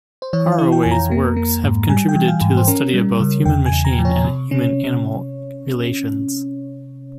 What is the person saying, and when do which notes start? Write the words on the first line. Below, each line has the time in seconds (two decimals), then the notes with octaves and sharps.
Haraway's works have contributed to the study of both human-machine and human-animal relations.
0.22 C5
0.33 E3 C#5
0.52 F5
0.58 E4
0.72 G5
0.83 F2 G#5
0.91 A#5
1.11 A#3
1.36 A#3
1.64 G#2
1.89 G3 G#5
2.09 G5
2.15 E3
2.28 F5
2.41 G#2
2.57 C5
2.67 C#4 A#4
2.94 G3
3.20 C#3
3.45 E2 G5
3.66 G#5
3.72 E2
3.85 A#5
3.99 F3
4.05 C#5
4.24 C3
4.51 C#4